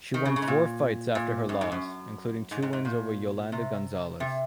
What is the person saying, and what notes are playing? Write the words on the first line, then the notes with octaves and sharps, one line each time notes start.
She won four fights after her loss, including two wins over Yolanda Gonzalez.
D#3
C#3
C#3
G#2
A#2
A#2
F#2
G#2
F#2
G#2
G#2
G#2
A#2
C3
C3